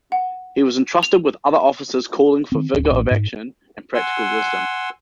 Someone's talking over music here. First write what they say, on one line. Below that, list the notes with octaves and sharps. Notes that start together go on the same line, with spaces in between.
He was entrusted with other offices calling for vigour of action and practical wisdom.
F#5
F7
D#3 C4
D1 A#1
A1
G#2
F#5 G#5 C6 E6